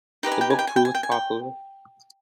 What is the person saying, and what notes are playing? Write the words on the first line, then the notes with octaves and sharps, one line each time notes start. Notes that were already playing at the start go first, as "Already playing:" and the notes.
The book proved popular.
D#4 G4 B4 D#5 G5
G#5
G5
G#5
G5
G#5
G5
G#5
G5
G#5
G5